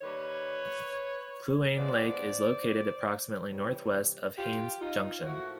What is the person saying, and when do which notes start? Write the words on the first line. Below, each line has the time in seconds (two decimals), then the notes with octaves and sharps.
Kluane Lake is located approximately northwest of Haines Junction.
0.01 D#3 G3 A#3 B4 C#5
1.76 C3 F3 G#3 B3 C5 D5
3.50 C3 E3 G3 C4 B4 C#5
4.37 F4 G4
4.80 D#4 F4
5.23 A2 F3 A#3 E4 F#4